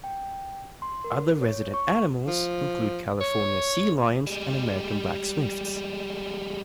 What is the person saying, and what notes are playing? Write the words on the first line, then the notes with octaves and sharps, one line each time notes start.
Other resident animals include California sea lions and American black swifts.
G5
C6
A#4
C#5
C#6
F3
C#5
G3 G#3